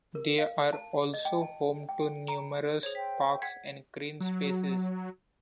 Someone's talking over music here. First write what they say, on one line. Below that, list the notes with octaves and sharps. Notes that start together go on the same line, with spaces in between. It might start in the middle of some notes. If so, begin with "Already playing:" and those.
They are also home to numerous parks and green spaces.
A#4
F5
A5
D#5
G5
A5
G5
A#5
G#4 C5 C#5
C5 E5 G5 B6
F#5 G#6 B6
F#3